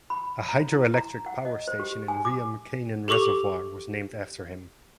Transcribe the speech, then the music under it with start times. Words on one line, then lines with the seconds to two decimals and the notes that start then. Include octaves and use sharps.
A hydroelectric power station in Riam Kanan Reservoir was named after him.
0.10 B5
0.49 A#5
0.72 E4
0.94 A#5
1.26 F#5
1.45 D#5
1.68 C5
1.79 G4
2.08 G#5
2.25 D6
3.08 G4 A4 C#6 D6 F7